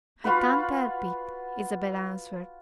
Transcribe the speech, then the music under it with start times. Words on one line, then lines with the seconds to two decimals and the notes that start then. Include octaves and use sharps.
"I can't help it," Isabel answered.
0.24 F4 F#4 B4 B5